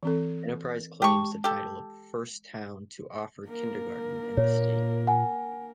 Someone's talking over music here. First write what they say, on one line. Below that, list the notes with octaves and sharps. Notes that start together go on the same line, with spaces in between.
Enterprise claims the title of the first town to offer kindergarten in the state.
E3 C4 A4
G#3 G4 A5 C#6
G4 A4
A#3 A#4
A#2 C#5
F#5 G#5